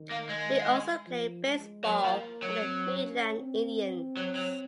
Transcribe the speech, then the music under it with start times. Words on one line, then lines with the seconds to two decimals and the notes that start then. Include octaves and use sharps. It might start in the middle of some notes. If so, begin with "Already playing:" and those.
He also played baseball for the Midland Indians.
Already playing: D#3
0.11 A#3
0.29 G#3
1.07 F3
1.46 G#3
1.84 F#3 A#3
2.04 F3
2.42 F#3
2.62 C4
3.01 C#4
3.40 C4
4.17 F#3
4.36 F#3